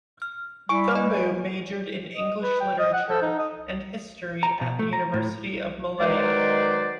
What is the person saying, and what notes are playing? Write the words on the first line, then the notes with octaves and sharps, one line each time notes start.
Thumboo majored in English literature and history at the University of Malaya.
F6
G3 E4 G#5 C#6 D7
B4 D#5 G#5
D#5
B4
G5
D#5
F#5
A4
D#4
D#5
A#5
B2
A3
A#5
A2
D#3 F#3 G#3 B4 C5 D5